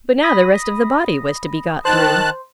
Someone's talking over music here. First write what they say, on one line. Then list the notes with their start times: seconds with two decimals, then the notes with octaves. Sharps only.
But now the rest of the body was to be got through!
0.23 B5 D#6 A#6
1.85 D#3 C5 A5 F#6